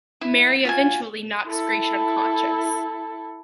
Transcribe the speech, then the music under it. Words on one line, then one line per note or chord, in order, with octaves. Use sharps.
Mary eventually knocks Grace unconscious.
E4
F4 F#4 G#5
E4 A4